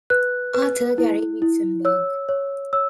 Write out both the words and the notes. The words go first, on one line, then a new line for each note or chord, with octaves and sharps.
Author Gary Witzenburg.
B4 F#6
B4
E4
E4
C#5 E6
C#5
C#5 E6